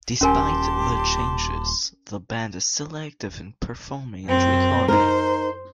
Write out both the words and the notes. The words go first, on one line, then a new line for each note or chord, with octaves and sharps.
Despite the changes, the band is still active in performing and recording.
D#1 C#4 G4 A#4 G#5 A5 C6 D6
F#2 C4
D#4 A#4 C5